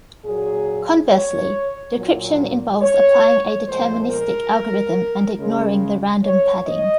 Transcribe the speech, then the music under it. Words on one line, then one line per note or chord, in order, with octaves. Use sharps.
Conversely, decryption involves applying a deterministic algorithm and ignoring the random padding.
A#2 F#3 G#4
C#5
A#2 F#3
C#5
A#2 F3 G#3 C5
A#4
C#3 G#3
C#5
D#5